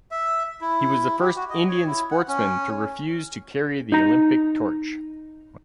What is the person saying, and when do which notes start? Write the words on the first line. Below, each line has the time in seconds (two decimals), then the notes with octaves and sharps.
He was the first Indian sportsman to refuse to carry the Olympic torch.
0.11 E5
0.61 E4
1.20 G4
1.36 F#4
1.50 D#5
1.69 C#5
1.86 E4
2.11 F#5
2.28 C#4
3.92 D#4 A#5